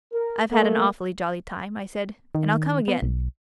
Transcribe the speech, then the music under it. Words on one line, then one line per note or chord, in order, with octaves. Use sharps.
"I've had an awfully jolly time," I said, "and I'll come again."
A#4
A3 A#3
D#3
B3
B1